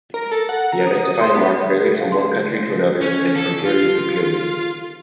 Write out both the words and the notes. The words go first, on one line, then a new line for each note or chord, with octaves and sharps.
The identifying mark varied from one country to another, and from period to period.
A#4
A4
F#5
A#5
D#6
C6
B3
F5
C6
G6
C#4
A4
F4